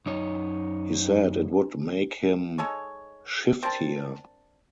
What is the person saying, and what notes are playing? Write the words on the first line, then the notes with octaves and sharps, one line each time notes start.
He said it would make him shiftier.
F#2 D#4 C#5
G#3 D#4 A4 C#5
C4 D4 A#4 A5